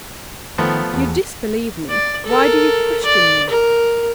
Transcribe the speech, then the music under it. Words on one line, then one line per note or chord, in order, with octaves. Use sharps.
"If you disbelieve me, why do you question me?"
D#3 F3 A3 B3
E2
D5
A4 A#4
D5
A#4